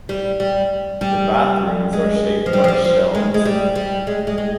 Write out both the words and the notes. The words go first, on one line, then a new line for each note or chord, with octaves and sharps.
The bathrooms are shaped like shells.
G3
G3
G3
G#3
F3
G3
F3
G3
F3
G#3
G#3
G3
G3
G#3
G#3
G#3